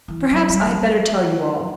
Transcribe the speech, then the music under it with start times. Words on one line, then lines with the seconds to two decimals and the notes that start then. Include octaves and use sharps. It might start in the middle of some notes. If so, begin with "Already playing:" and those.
Perhaps I had better tell you all.
0.08 E3
0.31 F#3
0.49 G3
0.66 G3